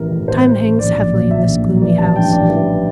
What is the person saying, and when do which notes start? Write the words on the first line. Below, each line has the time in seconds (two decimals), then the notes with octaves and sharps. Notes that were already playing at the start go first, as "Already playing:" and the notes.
Time hangs heavily in this gloomy house.
Already playing: A1 E3 A#4
0.11 A2
0.28 A1 C5
0.45 E3
0.63 A1
0.79 A#1 D5
0.96 A#1
1.13 A#2
1.30 A#2 E5
1.47 A#1
1.64 A#1
1.81 E3 D5
1.98 A1 A5
2.16 G2 G5
2.32 A1 D5
2.49 E3